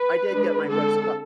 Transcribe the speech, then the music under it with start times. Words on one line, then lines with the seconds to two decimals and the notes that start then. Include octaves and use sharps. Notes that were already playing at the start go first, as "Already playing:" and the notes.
I did get my books pu
Already playing: B4
0.31 G#3 D4
0.67 D3 G#3 C4 A4